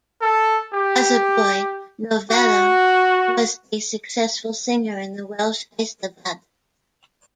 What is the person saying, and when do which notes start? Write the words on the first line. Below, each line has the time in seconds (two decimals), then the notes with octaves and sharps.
As a boy, Novello was a successful singer in the Welsh Eisteddfod.
0.21 A4
0.73 G4
2.31 F#4